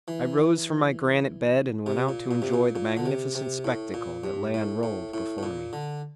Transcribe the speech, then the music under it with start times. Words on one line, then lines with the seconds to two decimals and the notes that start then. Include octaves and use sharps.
I rose from my granite bed and went out to enjoy the magnificent spectacle that lay unrolled before me.
0.08 E3
1.86 C3
2.09 A#2
2.31 A#2
2.42 C3
2.54 A#2
2.76 A#2
2.97 D3
3.06 C3
3.35 C3
3.65 A2
3.94 A#2
4.24 G2
4.54 A2
4.83 A2
5.14 A2
5.38 A2
5.43 A#2
5.73 D3